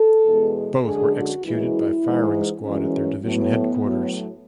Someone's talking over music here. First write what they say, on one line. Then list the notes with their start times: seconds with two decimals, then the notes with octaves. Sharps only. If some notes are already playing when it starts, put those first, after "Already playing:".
Both were executed by firing squad at their division headquarters.
Already playing: A4
0.26 E2 B2 G#3
0.85 F#2 D3 G#3 G#4
1.14 F#4
1.44 F#2 E3 G#3 E4
2.03 G#2 E3 G#3
2.63 F#2 E3 G#3 C#4
3.22 A2 F#3 B3
3.82 A2 F#3